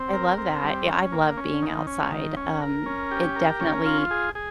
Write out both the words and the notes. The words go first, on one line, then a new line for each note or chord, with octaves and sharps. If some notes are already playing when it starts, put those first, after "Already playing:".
I love that. Yeah, I love being outside, um, it definitely
Already playing: C4
A#4
C4
G3
C#4
A#3
C#4
D#3
C#4
D#3
C#4
A#4
C#4
G4
A#4
C#4
F4
G#4
G#4